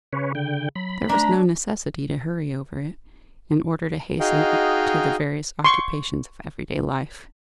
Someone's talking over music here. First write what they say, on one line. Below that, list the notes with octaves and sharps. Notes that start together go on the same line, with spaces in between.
There was no necessity to hurry over it, in order to hasten to the various occupations of every-day life.
C#3 C#4 B4 C#5
D3 G5
F#3 B5
A3 D4 A#5
D#4 F#4 G#4 D#5 F5 G5
C6 C#6